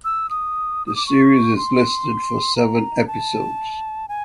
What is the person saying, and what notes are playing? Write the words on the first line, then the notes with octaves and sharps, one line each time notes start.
The series is listed for seven episodes.
E6
D#6
D#6
D6
C#6
C6
A#5
A5
G#5